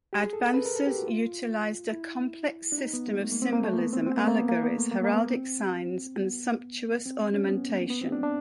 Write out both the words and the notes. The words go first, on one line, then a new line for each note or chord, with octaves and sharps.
Advances utilized a complex system of symbolism, allegories, heraldic signs, and sumptuous ornamentation.
G4
G#4
A4
A4
B4
A#4
A4
G4
F#4
F4
E4
D4
D#4
B3
G#3
A3
A#3
C4
A#3
A3
A#3
B3
C4
C4
A#3
A#3
B3
A#3
B3
A3
A#3
A#3
B3
C4
B3
C4
C#4
B3
A#3
B3
C4
D4
D4